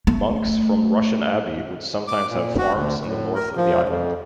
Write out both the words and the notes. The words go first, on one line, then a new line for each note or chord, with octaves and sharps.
Monks from Rushen Abbey would sometimes have farms in the north of the island.
A3
D6
A#2
F#4
D2
A2
A#4
F3
F2